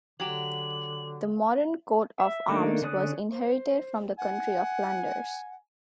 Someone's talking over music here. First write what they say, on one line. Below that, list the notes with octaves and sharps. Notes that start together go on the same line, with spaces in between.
The modern coat of arms was inherited from the County of Flanders.
D3 F#3 G4 F#7
E5
D#3 A3 A#3 D4 D#4
D3 C#4 D5 D#6 F#6
C5
F#5 G#5